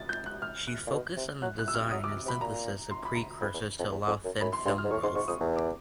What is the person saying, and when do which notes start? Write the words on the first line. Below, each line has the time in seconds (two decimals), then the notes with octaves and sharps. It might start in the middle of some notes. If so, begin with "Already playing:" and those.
She focussed on the design and synthesis of precursors to allow thin film growth.
Already playing: A6
0.09 G6
0.26 F#6
0.42 F6
0.67 F#6
0.87 A#2
0.92 B2
1.17 C3
1.42 F#3 F#6
1.59 F#6
1.68 E6
1.75 F6
1.91 F#3 D#6
2.04 D6
2.25 C3
2.28 B5
2.41 A#2 A#5
2.91 C6
3.05 B5
3.15 A#5
3.41 F2 B5
3.54 E2
3.79 F2
3.91 E2
4.07 F2
4.24 F#2
4.41 F#2 B5
4.53 C6
4.65 G2 C6
4.78 F6
4.84 G#2
4.91 A2 C#6
5.03 G#2 C6
5.15 G#2 C#6
5.28 F2 D#6
5.40 E2
5.57 D6